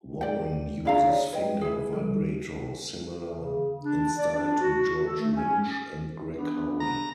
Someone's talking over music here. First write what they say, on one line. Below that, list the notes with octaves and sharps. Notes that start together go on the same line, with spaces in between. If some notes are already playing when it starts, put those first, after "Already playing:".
Warren uses finger vibrato, similar in style to George Lynch and Greg Howe.
D5 G5
D4 E4 G#4 D5 F5 A#5
C#5 D5
B4 D#5 G5
E4 G#4
F3 G3 A4
C#3
D4
D5
D4
F#4
A4
A3
C#4
B3 D4
A#5